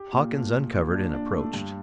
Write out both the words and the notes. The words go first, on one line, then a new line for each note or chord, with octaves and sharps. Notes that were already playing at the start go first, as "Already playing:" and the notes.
Hawkins uncovered and approached.
Already playing: G4
A#2
A3
A#2
A#2
D4
D4
A3
G2